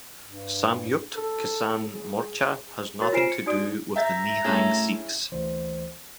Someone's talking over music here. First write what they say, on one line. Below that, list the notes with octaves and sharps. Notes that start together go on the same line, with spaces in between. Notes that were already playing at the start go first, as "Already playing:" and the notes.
Samyukt Kisan Morcha has nothing to do with the Nihang Sikhs.
G2
A4
G#4
F#4 A#4 C#5 A6
F4 C5 G#5 C7 D7 E7
C#7
D#4 F#4 D5 D#6 D7
E5 A#5 G6 A6
A2 C#4 E4 G#4 A4
D2 E3 C5